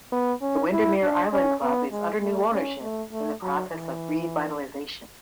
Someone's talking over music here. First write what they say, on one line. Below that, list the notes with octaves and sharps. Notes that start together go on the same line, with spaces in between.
The Windermere Island Club is under new ownership in the process of revitalisation.
B3
C#4
E4
D4
C#4
B3
G#3
A3
C#4
A3
A3
F#3
E3